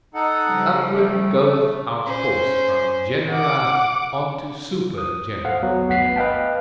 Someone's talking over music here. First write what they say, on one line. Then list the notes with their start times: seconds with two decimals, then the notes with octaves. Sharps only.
Upward goeth our course from genera on to super-genera.
0.14 D#4 A4 F#5
0.46 C#3 F3 G3
0.91 A3
2.03 C#4 C5
3.30 F#5 D6
4.71 F4
4.98 D#6
5.45 A4 C5 F5 F#5
5.63 D2 F#3 B3
5.88 G1 D2 B3 F#5 B6 C7
6.16 B4 D#5 F5 G5 A5